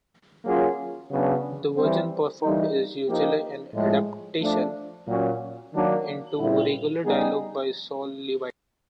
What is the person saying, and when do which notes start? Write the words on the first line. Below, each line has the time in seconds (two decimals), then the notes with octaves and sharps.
The version performed is usually an adaptation into regular dialogue by Saul Levitt.
0.44 F#3 A#3 C#4 F4 G#4
1.10 C#3 F#3 B3 D4 F#4
1.76 E3 G3 C4
2.42 E3 G3 A#3 D#4
3.08 F3 A#3 D#4 G4
3.74 A2 F3 G#3
4.40 F3 A3 D4
5.06 A#2 F#3 A#3 C#4 F#4
5.71 D#3 F#3 A#3 D4
6.38 A#2 G3 C4 E4
7.04 G3 B3 D#4 G#4